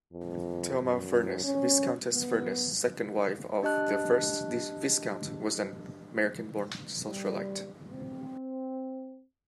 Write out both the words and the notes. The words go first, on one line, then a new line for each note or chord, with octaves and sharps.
Thelma Furness, Viscountess Furness, second wife of the first Viscount, was an American-born socialite.
F2
F#2
C#4
B3
D4 G4 D#5 A5 F#6
G3
C4